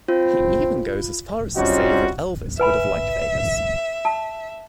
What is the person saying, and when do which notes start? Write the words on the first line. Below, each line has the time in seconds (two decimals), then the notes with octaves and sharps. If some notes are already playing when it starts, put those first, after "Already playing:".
He even goes as far as to say that Elvis would have liked Vegas.
0.08 C4 F4
1.56 G3 C4 C#4 D#4 F4 F#4
2.60 B4 E5 G#5 B5
4.05 A5